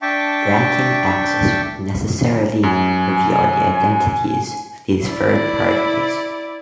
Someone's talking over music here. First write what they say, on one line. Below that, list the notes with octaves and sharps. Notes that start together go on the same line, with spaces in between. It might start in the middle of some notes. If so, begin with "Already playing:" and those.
Granting access would necessarily reveal the identities of these third parties.
D4 E5 G5 A5 C#6 D6
F#2 G#5
E4 D5